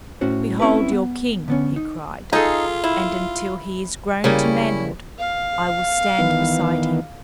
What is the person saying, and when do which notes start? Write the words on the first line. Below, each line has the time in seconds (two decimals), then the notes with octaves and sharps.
"Behold your king," he cried, "and until he is grown to manhood I will stand beside him."
0.21 A2 C#4 F#4 C5
0.60 C4 C#4 E4 G4 B4
0.92 B3
1.48 D3 B3 C#4
1.76 D#4
2.33 D#4 F4 G#4 A4
2.84 E4
4.24 C#3 G3 A#3 C#4 E4
5.19 F5
6.18 D#3 E3 B3